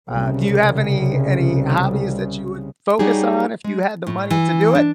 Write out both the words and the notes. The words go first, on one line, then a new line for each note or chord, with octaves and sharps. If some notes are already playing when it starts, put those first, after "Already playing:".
Uh, do you have any any hobbies that you would focus on if you had the money to do it?
C2 C#3
F#3 G3 D#4 G4 G#4
G#3
A2
E3
D4